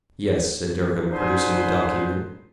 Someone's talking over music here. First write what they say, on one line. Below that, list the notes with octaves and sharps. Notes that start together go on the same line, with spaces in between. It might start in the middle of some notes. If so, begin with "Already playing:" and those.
"Yes," said Durham, producing the document.
D3 D#4 F4 G#4 B4 C5